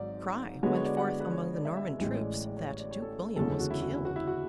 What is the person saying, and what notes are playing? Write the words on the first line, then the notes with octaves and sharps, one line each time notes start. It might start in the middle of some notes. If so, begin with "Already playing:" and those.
A cry went forth among the Norman troops that Duke William was killed.
Already playing: G#1 G#2 F#3 D5
D3 G#3 B3 F#4 C#5
C#5
D5
F#5
D5
B4
C#5
D5
E5
E5
E5
A1 A2 G#3 E5
C#5
D5
D5
C#5
C#5
D5
C#5
A4
F#1 E2 D3 G#3 C#4 A4
G#4
F#4
E4
F#4
E4
F#4
E4
F#4